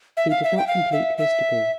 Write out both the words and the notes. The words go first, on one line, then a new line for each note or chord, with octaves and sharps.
He did not complete his degree.
E5
F5
E5
G5
F5
E5
E5